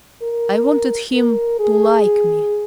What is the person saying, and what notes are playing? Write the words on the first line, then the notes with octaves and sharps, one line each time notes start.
I wanted him to like me.
A#4
A#4
G#4